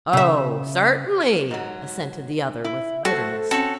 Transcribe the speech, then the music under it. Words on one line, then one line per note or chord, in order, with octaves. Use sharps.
"Oh, certainly!" assented the other with bitterness.
C#3 E5
G#2 F#3
E4
A3 F#4 A4 C5
C4 C#4 F#4 A4